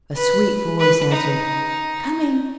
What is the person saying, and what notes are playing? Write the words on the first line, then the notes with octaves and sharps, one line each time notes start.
A sweet voice answered, "Coming!"
B4
B4
D#4